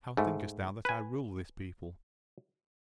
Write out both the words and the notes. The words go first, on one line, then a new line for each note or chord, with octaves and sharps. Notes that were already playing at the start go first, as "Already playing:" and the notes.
How thinkest thou that I rule this people?
G#2 A3
B4 G#5